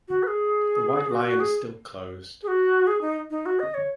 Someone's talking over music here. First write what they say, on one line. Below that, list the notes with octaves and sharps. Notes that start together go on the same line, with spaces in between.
The White Lion is still closed.
F#4
B4
G#4
F#4
F#4
G#4
G#4
F#4
G#4
D#4
D#4
F#4
D#5
C#5